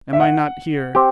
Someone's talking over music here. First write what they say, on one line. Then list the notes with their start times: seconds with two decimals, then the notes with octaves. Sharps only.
Am I not here?
0.13 E5
0.20 F#5
0.95 C4 G4